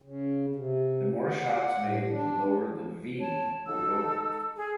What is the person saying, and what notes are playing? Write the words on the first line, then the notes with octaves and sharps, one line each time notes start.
The more shots made the lower the "v" will go.
C#3
C3
F#5
A2
D4
C#5 A5
D#4 A4 E6
G#4